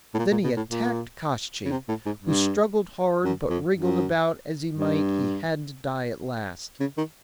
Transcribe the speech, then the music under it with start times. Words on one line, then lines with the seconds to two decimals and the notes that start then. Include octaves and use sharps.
Then he attacked Koshchei, who struggled hard, but wriggle about as he might he had to die at last.
0.14 A2
0.19 A#2
0.31 A#2
0.44 B2
0.56 A2
0.70 A#2
1.65 C#3
1.71 C3
1.89 A2
2.06 G#2
2.22 G2
3.24 F#2
3.50 F2
3.75 F#2
4.77 G2
6.80 C#3
6.97 D#3